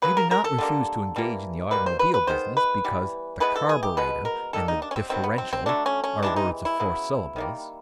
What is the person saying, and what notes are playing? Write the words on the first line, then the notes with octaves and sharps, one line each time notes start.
You do not refuse to engage in the automobile business because the carburetor and the differential are words of four syllables.
C#3 F#3 A#3 B4
A#4
A#4
A4
D3 G3 A#3
E3 G3 A#3
B2 G3 A#3 B4
C5
B4
B4
D#3 G#3 B3 C5
B4
E3 G3 B3
E3 G#3 B3 B4
A4
G#4
G4
B2 G#3 B3 B4
A#4
D#3 G3 A#3 A4
D#4
D4
C#4
C4
D#3 F#3 B3 C4
B3
C4
C4
D3 F#3 A3 D4
C#4
C#4
C3 E3 G#3 D4
D#4
E4
C#3 F#3 B3
D#3 G3 A#3